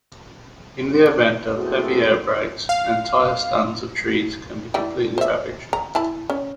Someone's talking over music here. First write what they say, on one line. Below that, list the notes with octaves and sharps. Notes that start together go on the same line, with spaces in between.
In the event of heavy outbreaks, entire stands of trees can be completely ravaged.
G#3 A3 B3 C4 E4 F#4
F5
E3 G3 G5
C5 E5
A#5
E4 A5 B5
C#4